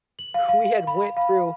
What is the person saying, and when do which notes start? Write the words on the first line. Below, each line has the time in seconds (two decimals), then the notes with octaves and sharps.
we had went through
0.19 F#7
0.34 F5
0.49 F5
0.87 B5
1.17 F5